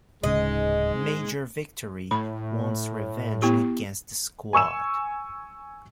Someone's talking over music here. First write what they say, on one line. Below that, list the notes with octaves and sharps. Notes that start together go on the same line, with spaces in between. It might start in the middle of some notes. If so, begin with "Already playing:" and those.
Major Victory wants revenge against the Squad.
D1 G#2 C#3 G#3 C#4 D#5
A2 B5
B3 E4 G4
G#5 C#6 E6 E7